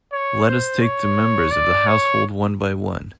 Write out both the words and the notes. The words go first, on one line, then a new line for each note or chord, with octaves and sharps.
Let us take the members of the household one by one.
C#5
C5
C#5
D5
C#5